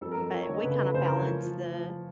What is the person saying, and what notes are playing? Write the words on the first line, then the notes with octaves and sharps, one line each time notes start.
but we kinda balance the
F2 A4
A#4
F2
F3 C#5
C#5
D3 D#5
C#3 B4
F2
C#3 C5
A#4
E3 C#5
F3
F3
F3
F3